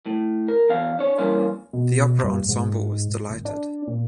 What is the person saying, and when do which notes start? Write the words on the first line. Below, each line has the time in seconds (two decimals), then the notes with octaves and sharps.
The opera ensemble was delighted.
0.06 A2
0.48 A#4
0.69 E2 F5
0.99 D4 C#5
1.18 G2 E3 A#3 C#4 F4
1.73 B2
2.24 G2
2.49 G#2
3.30 G#1
3.45 D4
3.88 A#2